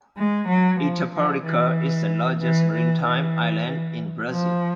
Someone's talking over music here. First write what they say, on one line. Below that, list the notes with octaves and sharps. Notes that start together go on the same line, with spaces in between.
Itaparica is the largest maritime island in Brazil.
G#3
F#3
F3
F3
E3
E3
E3
E3
E3
F3